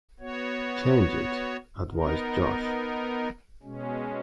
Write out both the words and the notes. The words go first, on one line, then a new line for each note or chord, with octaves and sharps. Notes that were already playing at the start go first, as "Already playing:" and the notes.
"Change it," advised Josh.
B3 F#4 C#5
B3 D#4 A#4
B2 G#3 C#4